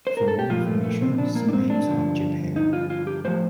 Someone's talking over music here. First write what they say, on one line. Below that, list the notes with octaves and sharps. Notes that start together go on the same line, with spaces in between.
For more information see Names of Japan.
C5
A#4
A4
G4
A#2 F3 F4
A3
A3
C4
D4
A#3
D4
C4
D4
G2 D3 F3
D#4
F4
F4
G4
A2 F3 C5